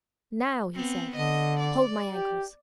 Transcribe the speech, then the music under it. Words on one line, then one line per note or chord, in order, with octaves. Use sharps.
"Now," he said, "hold my ankles."
B3 C4
D3 D#5
D5
G4